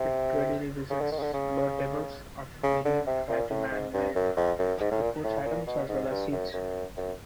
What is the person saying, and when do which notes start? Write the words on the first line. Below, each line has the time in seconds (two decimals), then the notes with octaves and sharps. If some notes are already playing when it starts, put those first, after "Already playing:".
It readily visits bird tables, eating fatty man-made food items as well as seeds.
Already playing: C3
0.90 C#3
1.01 D3
1.12 D#3
1.19 C#3
1.22 D3
1.33 C#3
2.63 C#3
2.85 D3
3.07 C3
3.29 A#2
3.50 A2
3.72 G#2
3.93 G2
4.15 F#2
4.37 F2
4.59 F#2
4.80 G#2
4.91 A2
5.02 A#2
5.24 A2
5.46 A#2
5.67 B2
5.89 G#2
6.10 G2
6.32 F#2
6.54 F#2
6.97 F#2